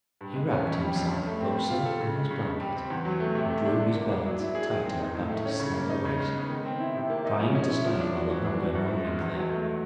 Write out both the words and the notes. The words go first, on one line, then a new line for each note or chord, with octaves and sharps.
He wrapped himself closer in his blanket and drew his belt tighter about his slender waist, trying to stifle the hunger gnawing there.
G2
G#3
C#4
F2
G3
F2
G2
A3
C4
G3
F4
A4
C#3
G#3
C#3
G2
G3
C4
E2
F#3
A3
C3
A3
D4
D3
A#3
D4
F#3
E4
G#4
D#3
C4
D#4
A2
A3
C#4
C#3
A#3
D#4
C#3
G#3
B3
D#3
C4
E4
C3
A#3
D#4
F3
C#4
E4
F3
D4
F#4
E3
D4
F#4
F#2
F3
G#3
E2
F#3
A3